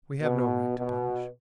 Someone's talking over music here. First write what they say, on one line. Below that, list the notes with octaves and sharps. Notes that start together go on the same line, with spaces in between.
We have no right to punish.
B2
B2